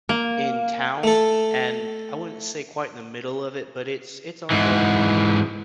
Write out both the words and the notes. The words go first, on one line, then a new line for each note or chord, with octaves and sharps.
in town, and I wouldn't say quite in the middle of it, but it's it's on the
A#3
A3 A4
G#2 E3